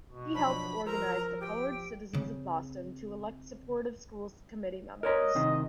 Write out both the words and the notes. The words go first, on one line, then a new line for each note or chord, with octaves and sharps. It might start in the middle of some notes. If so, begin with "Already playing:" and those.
He helped organize the colored citizens of Boston to elect supportive School Committee members.
B2
F3 F#3 D4 B5
F3 A#4 C5 A#5 E6
G4 G5
C#3 C4
A#4 C#5 D#5 A#5
C2 C3 D#3